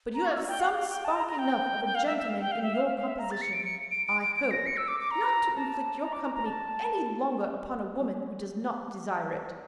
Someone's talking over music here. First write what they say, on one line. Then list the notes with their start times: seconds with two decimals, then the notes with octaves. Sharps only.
But you have some spark enough of a gentleman in your composition, I hope, not to inflict your company any longer upon a woman who does not desire it.
0.14 A#5
0.26 C#6
0.32 F6
0.36 E6
0.43 F5
0.48 G5
0.60 F5
0.75 F5
0.89 G5
1.05 A5
1.16 A#5
1.27 A#5
1.39 G5
1.85 G5
1.95 F5
2.06 E5
2.17 E5
2.29 F5
2.40 G5
2.52 F5
2.63 E5
2.74 F5
2.85 F5
2.96 F5
3.08 E5
3.19 A#5
3.31 A6
3.42 C#7
3.53 D7
3.64 C#7
3.91 D7
4.06 D7
4.21 D7
4.36 D7
4.51 A#6
4.66 C#7
4.77 E6
4.88 D6
5.00 D6
5.11 A#5
5.56 A5
6.01 A#5
6.13 D6
6.24 A#5
6.35 A#5
6.46 A5